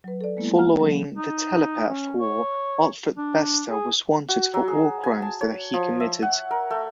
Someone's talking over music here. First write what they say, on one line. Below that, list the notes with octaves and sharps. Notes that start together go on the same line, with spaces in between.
Following the Telepath War, Alfred Bester was wanted for war crimes that he committed.
F#3 B4
A4 D5
G#3 A#3 B3 E4
F#5 A#5 F6
E3 F#3 A#3 C#4 A4
D#4
C#4
C#5
D4
G#4
F#4
F#3
G#4
G#5
A5
C#5
F3
E5
F#5
A#4
A3